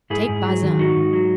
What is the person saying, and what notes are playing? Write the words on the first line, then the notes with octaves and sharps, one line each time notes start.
"Take Bazin."
G#2 E4 G#4
G#2
F#3
D#3
G#2 D#4 F#4
G#2
F#3